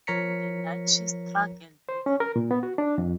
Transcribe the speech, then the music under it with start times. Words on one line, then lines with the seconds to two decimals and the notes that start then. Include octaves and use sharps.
In the night she struggled with him.
0.07 F3 A#4 C#5 A#5 B6 C#7
1.89 C5
2.06 C#4
2.20 A#4
2.36 A#2
2.51 B3
2.63 F#4
2.78 D4
2.98 F2